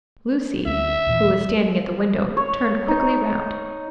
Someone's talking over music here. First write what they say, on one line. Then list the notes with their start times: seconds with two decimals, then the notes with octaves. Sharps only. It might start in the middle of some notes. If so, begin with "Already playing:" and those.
Lucy, who was standing at the window, turned quickly round.
0.66 D2 E5
1.06 D#2 A#2 E3
2.37 C#5
2.88 D#4